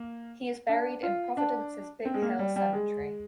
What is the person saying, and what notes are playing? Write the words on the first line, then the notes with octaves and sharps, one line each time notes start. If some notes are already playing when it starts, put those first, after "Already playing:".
He is buried in Providence's Big Hill Cemetery.
Already playing: A#3
D4
F4
D4
C4
G#3
A#3
G3
G3
G#3